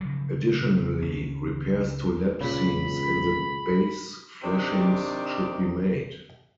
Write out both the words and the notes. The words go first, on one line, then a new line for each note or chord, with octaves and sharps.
Additionally, repairs to lap seams in the base flashings should be made.
C#3 F3 F#3
C#2 C#4
C#2 A#2 C#3 B5
C3 D#3 C4 D4 G4